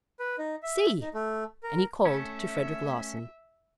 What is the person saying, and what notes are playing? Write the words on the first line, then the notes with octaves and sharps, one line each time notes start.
"See!"--and he called to Frederic Larsan.
B4
D#4
E5
D#4
A3
A#4
A3 C#4 E5